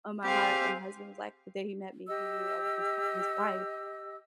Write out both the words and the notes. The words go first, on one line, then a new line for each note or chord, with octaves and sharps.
on my heart and my husband was like, the day he met me, he knew I was his hu his wife,
C4 G4 G#4 F5
G4 D#5 E6